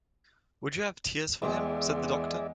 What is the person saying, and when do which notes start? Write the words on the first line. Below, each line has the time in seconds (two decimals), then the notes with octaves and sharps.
'Would you have tears for him?’ said the doctor.
1.42 E2 G#3 G#4 D5 E5 G5